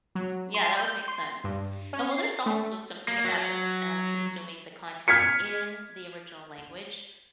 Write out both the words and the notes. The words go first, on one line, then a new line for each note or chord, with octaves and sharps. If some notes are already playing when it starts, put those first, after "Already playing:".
yeah that would make sense, and well, there's also something about just, um, consuming the content in the original language,
F#3
C6
G6
C6
G2
C#4
C7
A3
A#3
F#3
F6 G#6 B6 C#7